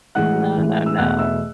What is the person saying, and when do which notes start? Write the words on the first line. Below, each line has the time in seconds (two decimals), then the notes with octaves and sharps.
No, no, no.
0.15 A2 E3 G#3 F#5 F#6
0.57 A2 E3 G#3
0.86 E6
0.98 E2 B2 A3 F#5 F#6
1.19 E5 E6